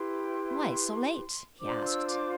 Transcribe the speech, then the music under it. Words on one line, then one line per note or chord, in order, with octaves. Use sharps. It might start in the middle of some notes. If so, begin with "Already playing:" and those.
"Why so late?" he asked.
Already playing: E4 G4 B4 C6
D4 F4 C5 D6
E6
D6